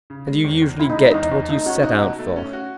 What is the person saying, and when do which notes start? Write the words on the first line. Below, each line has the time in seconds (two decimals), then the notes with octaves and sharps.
And you usually get what you set out for.
0.10 C#3
0.27 G#3
0.44 E2
0.61 E2
0.79 C#3 E4
0.90 D#4
0.96 G#3
1.11 E2 D#4
1.32 E2
1.48 A3 D#4
1.66 C#4 F#4
1.83 D#4 F#4
2.01 B2
2.19 A3
2.36 C#4
2.53 F#4